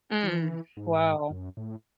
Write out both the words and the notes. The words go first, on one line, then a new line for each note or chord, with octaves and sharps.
Mm, wow.
E3
G#2
F#2
A2